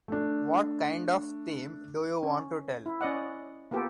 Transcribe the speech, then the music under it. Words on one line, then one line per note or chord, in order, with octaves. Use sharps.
What kind of theme do you want to tell?
A3 D4
C#4
E4
C#4 D5 D#5 F#5
A#3 B3 F4 G4 A4